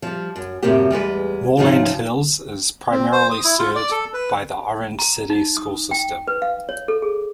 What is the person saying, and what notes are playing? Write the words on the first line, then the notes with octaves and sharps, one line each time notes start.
Moreland Hills is primarily served by the Orange City School System.
F3 G3
F#2
F#2 A2 C3 G3 A#3 G4
E2 G3 G#3 B4
D2 G#2 C#3 F3 D#4 F5
C4
C5
D#6
E4
F4
D5
A4
B4
A#5
D#4
D#6
G5
B4
F5
C#5
A4
G#4